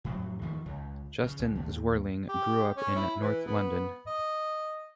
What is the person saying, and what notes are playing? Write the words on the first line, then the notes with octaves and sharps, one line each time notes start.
Justine Zwerling grew up in North London.
F2 A2 F#3
E2 D#3 F3 A3
C#2
C#3
C#2
D#2
G4
C#4
E4
E3
B3
D#5